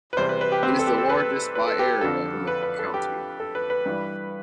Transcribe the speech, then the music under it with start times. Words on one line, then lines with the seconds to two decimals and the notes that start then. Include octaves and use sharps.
It is the largest by area in the county.
0.13 B4
0.17 E2 C3 G3 C5
0.29 B4
0.41 B4
0.52 G4
0.63 C4
0.79 A4
0.87 G4
0.98 A4
1.10 B4
1.55 B4
1.67 A4
1.79 G4
2.01 F2 D3 F3 A4
2.47 B4
2.63 B4
2.79 A4
2.94 G4
3.40 A4
3.55 B4
3.70 B4
3.86 G2 E3 G3